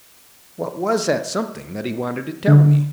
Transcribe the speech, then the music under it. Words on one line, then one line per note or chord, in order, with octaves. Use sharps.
What was that something that he wanted to tell me?
D3